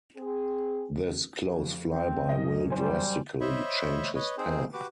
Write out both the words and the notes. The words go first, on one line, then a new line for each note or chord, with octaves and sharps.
This close flyby will drastically change his path.
C4 G#4
F2
C4
F#2 D#5
G3 C5 G#5
C5 C#5 D#5 E5 B5 C#6
B4 C#5 D#5
C4 D#4 G#4 C5
F#4 G4 B4 D6